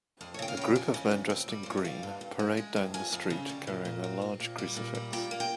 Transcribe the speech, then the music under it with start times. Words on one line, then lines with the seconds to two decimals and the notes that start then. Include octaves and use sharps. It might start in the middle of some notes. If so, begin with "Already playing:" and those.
A group of men dressed in green parade down the street carrying a large crucifix.
0.21 F2 C5
0.34 C#5
0.39 C#3 G5
0.48 F5
0.57 C#3 G5
0.75 F2 G#5
0.94 C#3
1.11 F2
1.30 C4
1.48 G3
1.63 C5
1.66 G2 C#5
1.77 D#5
1.85 G3 F5
2.03 G2
2.21 G2
2.39 G#3
2.57 G#3
2.76 F2
2.94 F2 G#5
3.12 F2
3.30 C#3
3.49 G3
3.67 A#2
3.85 A#2
4.04 C4
4.22 C4
4.40 A#2
4.58 G3
4.76 A#2
4.95 G3
5.13 A#2 G5
5.31 A#3
5.40 G5